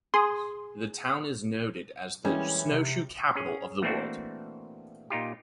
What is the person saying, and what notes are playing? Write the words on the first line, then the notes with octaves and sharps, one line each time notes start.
The town is noted as "the snowshoe capital of the world".
G#4 C6 D#6
E3 G3 G#3 A#3 C#4
C3
C#4 G#4
E3 A3 A#3 C4 D4 F#4
A#2 D#4 F4 G4